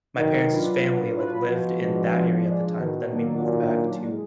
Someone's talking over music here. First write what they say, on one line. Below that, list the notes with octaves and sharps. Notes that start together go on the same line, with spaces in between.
my parents' family, like, lived in that area at the time, but then we moved back to
D#3 F#3
D4 F4 B4
F#3
D4 F4 B4
B2 F3
G#3 D4
F3
G#3 D4
B2 D#3
F#3 A#3 D4
A#2 D#3
F#3 A#3 D4
G#3